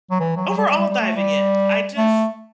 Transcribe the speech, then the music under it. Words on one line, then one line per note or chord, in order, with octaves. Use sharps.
overall diving in, I just
F#3
E3
F#3
F#3
G3
G3
G3
G3
A3
G3
A3